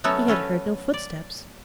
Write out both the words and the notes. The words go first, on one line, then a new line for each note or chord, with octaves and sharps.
He had heard no footsteps.
F#3 A3 B3 C#4 F#4 A4
C#4 A4 B4
D5